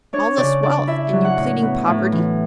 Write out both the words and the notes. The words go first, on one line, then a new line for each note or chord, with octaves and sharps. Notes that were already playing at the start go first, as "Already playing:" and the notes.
"All this wealth, and you pleading poverty?"
D4 C#5
C#3 D5
D4 D5
E4 E5
F#3
F#5
A2
B3
A2
E3